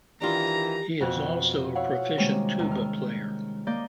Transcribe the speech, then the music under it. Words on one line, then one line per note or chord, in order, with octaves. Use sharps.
He also is a proficient tuba player.
D#3 E3 D4 F4 G4 A#5
F2 B2 F#6
E4 C#5 F5 F#5
C3 D#3 G3 G#3 A#3 C#4
E2 D#3
F6
A#3 D5 D#5 G6